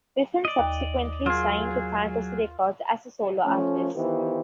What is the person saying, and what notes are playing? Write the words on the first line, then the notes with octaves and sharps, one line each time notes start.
Wiffen subsequently signed to Fantasy Records as a solo artist.
D5 D#5
D#2
F#3 F4 G#4 A#4
F3 A3 C#4
D#3 E3 B3 F4 G4 C5